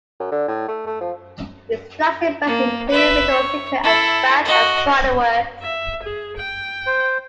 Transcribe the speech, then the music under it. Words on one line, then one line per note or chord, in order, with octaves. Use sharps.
Its flagship brands include Victoria's Secret and Bath and Body Works.
F#2
D3
A2
A3
A3
F3
A#3
B4 E5
C#5
E4 A4
F#4 D#5
E5
G#4
G5
C5